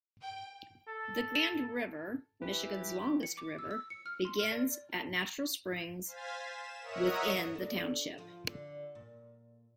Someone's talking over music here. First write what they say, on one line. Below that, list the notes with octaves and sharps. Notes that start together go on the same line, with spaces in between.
The Grand River, Michigan's longest river, begins at natural springs within the township.
G5
A4
E3 G4 B4
C#7
D6
E6
E6
C#7
F6
C6
F6
D5
C5 F5 G#5 A6 B6
E7
A#4 C#5 D#5 E5 F#5 D#6
D4 A4 B4
F3 F4
D3
A#2